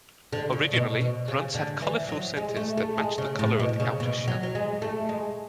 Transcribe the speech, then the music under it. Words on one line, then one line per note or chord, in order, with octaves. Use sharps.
Originally, Runts had colorful centers that matched the color of the outer shell.
D3
C#3
B2
B2
C#3
D3
E3
F#3
G#3
A3
A3
G#3
C#3
A2
B2
C#3
B2
F#3
F#3
G#3
A3
G#3